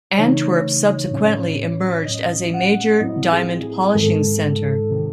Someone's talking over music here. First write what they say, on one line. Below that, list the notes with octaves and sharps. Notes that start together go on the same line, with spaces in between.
Antwerp subsequently emerged as a major diamond polishing center.
C#3 E3 A3 D#4 C#5
A2 F#3 C#4
A2 F#3 C#4 D#5
F#5
A2 F#3 C4 E4 D#5
G#4
G#4
G#2 D#3 G#3 A4
C3 D#3